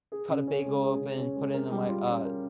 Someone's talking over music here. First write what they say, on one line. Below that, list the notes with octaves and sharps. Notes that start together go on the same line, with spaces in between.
cut a bagel open, put it in my, uh,
G#4
C#3
C#4
G#3
G#4
C#3
C#4
G#3
A#4
G3
F4
C#4
A#4